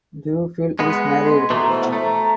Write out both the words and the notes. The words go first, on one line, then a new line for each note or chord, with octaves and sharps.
Duffield is married.
G#3 B3
C6
B2 E3 A3 A#5
C5
A3 A#5